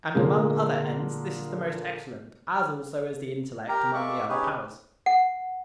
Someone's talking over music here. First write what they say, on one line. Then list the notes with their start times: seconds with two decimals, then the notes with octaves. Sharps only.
And among other ends this is the most excellent: as also is the intellect among the other powers.
0.15 A#2 D3 G#3 A#3
3.69 G4 A#4 G5 A#5
3.94 G#3 A#3 D5 E5 C#6 D6
4.29 C#4 D#4 G4 G#4 B4 C#5
5.06 F#5